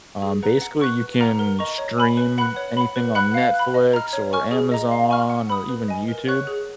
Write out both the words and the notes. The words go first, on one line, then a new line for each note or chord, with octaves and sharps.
um, basically, you can stream anything on Netflix, or Amazon, or even YouTube.
G#4
B4 F#5 A#5
F#5
C#6 F#6
B4
F#5 A#5 F6
A#4
D#5 A#5 C#6
C#5
G#5 B5
B4
F#5 B5 F#6
C#5
F#5 B5
B4
F#5 B5 F#6
F5
F#6
B5
D#5
A#5 F6
C#5
G#5 C#6 F6
G#4
D#5 A#5
F5
G#5 C#6 F6
F#5
B5 D#6
B4
D#5 G#5
A#4
C#5 F#5 C#6 F#6
G#4